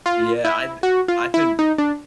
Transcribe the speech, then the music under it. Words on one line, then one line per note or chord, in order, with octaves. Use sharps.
Yeah, I I think g
F4
E4
F#4
F4
E4
D#4
D4